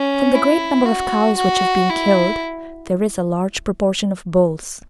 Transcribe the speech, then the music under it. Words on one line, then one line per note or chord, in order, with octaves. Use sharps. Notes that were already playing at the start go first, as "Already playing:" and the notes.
From the great number of cows which have been killed, there is a large proportion of bulls.
Already playing: C#4
E4
F#4
F#4
E4